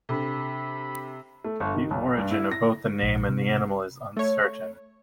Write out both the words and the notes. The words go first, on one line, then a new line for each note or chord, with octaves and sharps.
The origin of both the name and the animal is uncertain.
C3 D4 A4 B5
A3
G1
D#3
B1
G2
E4
A#6
A#1
C3
A3 C#5